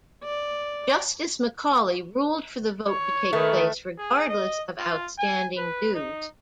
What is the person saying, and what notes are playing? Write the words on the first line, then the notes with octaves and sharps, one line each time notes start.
Justice Macaulay ruled for the vote to take place regardless of outstanding dues.
D5
C#5
D#3 A3 B4
G#4
D#5
F4
G#5
B4
D#4